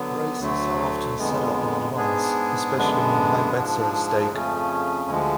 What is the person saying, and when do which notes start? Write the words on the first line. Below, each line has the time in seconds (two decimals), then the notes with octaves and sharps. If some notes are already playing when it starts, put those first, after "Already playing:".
Races are often set up in advance, especially when high bets are at stake.
Already playing: D3 F#3 B3
0.40 D2 D3 F#3 A3
1.18 F2 D3 G#3 B3
1.97 G#2 G#3 B3 D4 G#4
2.75 F#2 D3 G#3 B3 D4
3.53 G#2 F3 G#3 D4
4.31 F2 C#3 F3 A3 C#4
5.10 D2 D3 F3 G#3